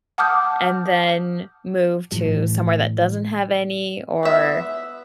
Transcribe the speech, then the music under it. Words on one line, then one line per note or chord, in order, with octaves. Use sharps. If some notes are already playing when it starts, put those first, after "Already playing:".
and then move to somewhere that doesn't have any, or,
F#5 A5 D6 D#6 F6 G6
A2 E3
B3 E5